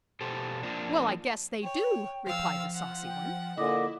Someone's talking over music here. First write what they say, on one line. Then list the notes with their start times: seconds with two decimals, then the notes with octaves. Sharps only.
"Well, I guess they do," replied the saucy one.
0.21 B2 G4 A4 C5
0.63 F3 A#3 C4 D4
1.63 C#5 G5
2.27 F3 F5 E6
2.75 F#5
3.05 G5
3.57 A#2 D3 E4 D#5 D6